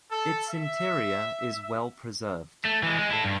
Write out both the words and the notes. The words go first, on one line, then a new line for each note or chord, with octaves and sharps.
Its interior is well preserved.
A4
E5
A3
E3 G#3
G#3
E4 A4
G2